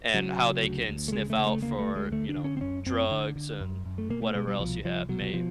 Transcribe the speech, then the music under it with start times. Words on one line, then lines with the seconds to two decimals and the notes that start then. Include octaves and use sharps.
and how they can sniff out for, you know, drugs and whatever else you have may
0.14 C#3 F#3
0.39 C#3
0.63 D2
0.88 D2
1.08 A3
1.12 C#3 G#3
1.30 A3
1.38 C#3
1.46 A3
1.62 D2 A#3
1.79 A3
1.87 D2
1.96 G#3
2.12 D3 A3
2.29 D4
2.37 D3
2.44 C#4
2.57 C4
2.61 F#2 C#4
2.86 F#2 C4
3.11 D3
3.36 D3
3.60 F#2
3.86 F#2
3.98 A3
4.09 B2 A#3
4.22 A3
4.34 B2 G#3
4.47 G3
4.59 C2 F3
4.85 C2 F3
5.09 B2 F#3
5.22 F#3
5.34 B2 F3